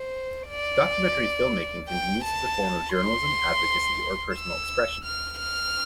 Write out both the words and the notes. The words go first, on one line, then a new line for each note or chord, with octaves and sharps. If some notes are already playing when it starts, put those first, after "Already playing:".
Documentary filmmaking can be used as a form of journalism, advocacy, or personal expression.
Already playing: C5
D5
G5
A5
C6
E6
F6
F6